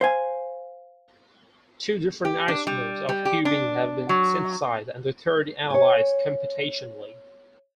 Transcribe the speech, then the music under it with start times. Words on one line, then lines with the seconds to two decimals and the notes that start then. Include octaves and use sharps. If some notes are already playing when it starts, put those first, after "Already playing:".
Two different isomers of cubene have been synthesized, and a third analyzed computationally.
0.01 C5 F5 G#5
2.25 G4
2.48 D4
2.67 G3
3.09 G3
3.25 G4
3.45 D4
4.09 F#3
5.70 C#5 G#5